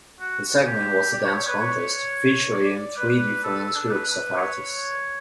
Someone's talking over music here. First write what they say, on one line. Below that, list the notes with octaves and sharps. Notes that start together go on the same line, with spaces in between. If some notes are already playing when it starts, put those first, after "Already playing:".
The segment was a dance contest featuring three different groups of artists.
F#4
G4
D5
C#5
C#5
B4
C#5
D5
B4
A4
A4
D4
B4
C#5